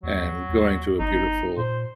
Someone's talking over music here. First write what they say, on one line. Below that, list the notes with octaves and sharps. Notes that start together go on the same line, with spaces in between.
and going to a beautiful,
D#2 F#3
D#2
G1 D#4
A#2 C5